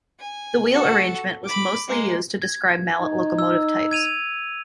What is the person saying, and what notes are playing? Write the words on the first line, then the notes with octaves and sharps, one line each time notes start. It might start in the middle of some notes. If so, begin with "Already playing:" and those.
The wheel arrangement was mostly used to describe Mallet locomotive types.
G#5
F#4 A4
B5 D6
G#3 A#3
G#6
D#4
E6
G#6 D#7 F7